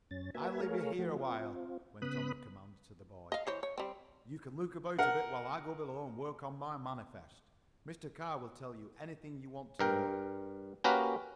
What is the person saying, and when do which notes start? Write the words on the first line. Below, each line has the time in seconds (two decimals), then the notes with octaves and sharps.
"I'll leave you here a while," went on the commander to the boy. "You can look about a bit while I go below and work on my manifest. Mr. Carr will tell you anything you want to know."
0.11 F#2 C#4 A6
0.35 A#3 F#4 B4 E5 G#5
0.61 A3 G#4 A#4 C#5 F5
0.99 F3 A3 F#4
1.19 C4 F4
2.02 C#3 B3 B5 D#6 F#6
3.32 D#5 F5
3.47 E3 C5 C#5
3.63 C#5
3.78 G3 C4
4.99 A#4 F#5
9.79 G2 A#4 G5
10.84 A#3 C#4 F#4 G4 A#4 B4